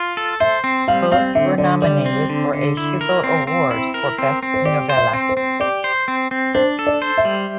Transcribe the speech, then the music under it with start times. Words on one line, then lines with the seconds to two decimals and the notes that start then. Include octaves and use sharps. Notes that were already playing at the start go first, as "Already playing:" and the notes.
Both were nominated for a Hugo Award for Best Novella.
Already playing: F4
0.17 A4
0.40 C5 E5
0.64 C4
0.88 G3 F5
1.12 C4 F5
1.35 D3 E5
1.58 D3 D5
1.82 G3 D5
2.06 C4
2.30 D3
2.53 D3
2.77 E4
3.01 A#4
3.24 C4
3.47 C4
3.71 E4
3.94 A#4
4.19 C4
4.43 C4
4.54 C5
4.65 G4 D5
4.89 C5
4.97 E5
5.13 C4
5.29 C5
5.37 C4
5.60 G4 D5
5.84 C5
6.08 C4
6.31 C4
6.55 D4 C5
6.79 A4
6.87 D5
7.02 C5
7.18 E5
7.25 G3